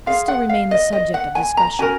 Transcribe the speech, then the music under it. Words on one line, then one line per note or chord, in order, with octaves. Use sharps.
This still remained the subject of discussion.
F4 G#4 F5
F#5
F5
D#5
D#5
F#5
G#5
A#5
C#4 F#4 A#4 G#5